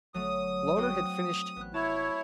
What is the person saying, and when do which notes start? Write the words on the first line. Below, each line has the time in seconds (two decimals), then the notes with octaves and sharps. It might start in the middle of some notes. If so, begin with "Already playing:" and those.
Loder had finished.
0.14 G1 F#3 A3 D#6
0.76 C4 F#4 G5
1.56 A1 B3 F#6
1.74 F1 E4 C#5 A5